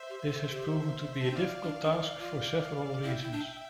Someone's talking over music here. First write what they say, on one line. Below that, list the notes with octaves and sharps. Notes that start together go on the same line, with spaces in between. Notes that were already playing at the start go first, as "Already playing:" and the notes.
This has proven to be a difficult task for several reasons.
Already playing: C5 E5
G4
A4
G4
A5
D4 G5
E4 D5 F5
D4
D4
E4
F4
E4 E5 G5
E4
D4